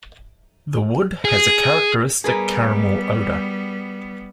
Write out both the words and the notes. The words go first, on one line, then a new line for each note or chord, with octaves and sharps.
The wood has a characteristic caramel odour.
G#4
G3 B3 G#4 A#4 B4